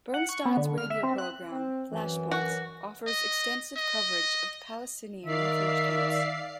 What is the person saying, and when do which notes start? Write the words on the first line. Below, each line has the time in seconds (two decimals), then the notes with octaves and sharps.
Bernstein's radio program, Flashpoints, offers extensive coverage of the Palestinian refugee camps.
0.14 F#5
0.29 C#6
0.45 B3
0.57 D3
0.78 F6
0.90 E5
1.03 C4
1.18 F#6
1.51 C4
1.92 F#2 E3
2.31 F#4
3.07 D#5
3.77 D#5
5.26 D#3 D5 E5 F5 C7